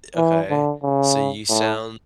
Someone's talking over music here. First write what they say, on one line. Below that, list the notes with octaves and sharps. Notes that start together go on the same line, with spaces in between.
okay. So, you sound
E3
D3
C#3
A2